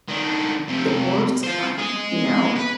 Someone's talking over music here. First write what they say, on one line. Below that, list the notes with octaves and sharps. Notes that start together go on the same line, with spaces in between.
The worst kind, you know?
D#3 D4
F2 C3
F4 C5
G#4 D#5
B4